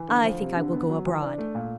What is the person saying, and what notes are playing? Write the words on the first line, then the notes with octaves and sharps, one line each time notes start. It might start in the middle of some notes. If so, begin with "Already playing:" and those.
"I think I will go abroad."
Already playing: E3
D2
F3
C3
D3
B3
F#3
E3
D4
A3
A#2